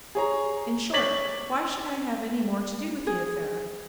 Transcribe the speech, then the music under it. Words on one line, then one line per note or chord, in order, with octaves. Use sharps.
In short, why should I have any more to do with the affair?
G#4 C#5 A#5
C#5 D6 G#6 A6 B6 F#7
G#4